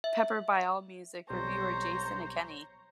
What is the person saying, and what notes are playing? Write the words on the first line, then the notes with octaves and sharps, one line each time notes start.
Pepper by Allmusic reviewer Jason Ankeny.
E5
B1 G3 C4 C5 C#5 A#5